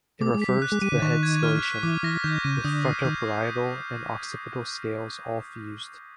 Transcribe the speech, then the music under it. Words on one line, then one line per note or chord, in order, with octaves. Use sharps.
It refers to the head scalation with frontoparietal and occipital scales all fused.
A3 D6
G#3
B6
G3
F#6
G#3
G3 D#7
D3
D#3 C#6
G#6
F6
B6
E3 D6
E3 A#6
D#3 G6
C#3 D#7
D3 D#6
C7
D#3 G6